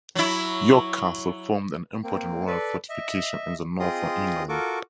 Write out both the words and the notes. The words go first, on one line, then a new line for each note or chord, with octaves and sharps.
York Castle formed an important royal fortification in the north of England.
F#3 E4
A#3 C4
A4 B4 D5
D#5 E5
C4 F4 G#4 D#5 C6 D#6
F4 F#4 A4 A#4 C#6 D6